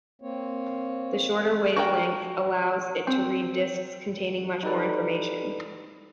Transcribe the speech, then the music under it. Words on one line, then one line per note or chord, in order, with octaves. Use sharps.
The shorter wavelength allows it to read discs containing much more information.
A#3 C4 C#5
F#4 A#4 G5
C4
D#4 G4 A4 B4 D5